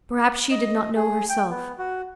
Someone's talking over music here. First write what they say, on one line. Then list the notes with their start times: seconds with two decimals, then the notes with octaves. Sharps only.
Perhaps she did not know herself.
0.51 D#5
0.96 G#4
1.29 G5
1.50 B3
1.78 F#4